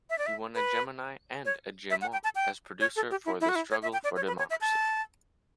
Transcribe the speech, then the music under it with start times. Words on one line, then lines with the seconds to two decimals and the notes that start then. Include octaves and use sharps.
He won a Gemini and a Gemeaux as producer for "The Struggle for Democracy".
0.10 E5
0.19 D5
0.26 E5
0.55 B4
1.45 C#5
1.90 E5
2.01 F#5
2.12 G5
2.24 A5
2.35 G5
2.80 C#5
2.96 A4
3.11 G4
3.25 E4
3.41 E4
3.49 F#4
3.55 E4
3.71 C#5
3.82 E5
3.93 G5
4.04 D5
4.16 C#5
4.27 B4
4.38 C#5
4.50 E5
4.61 A5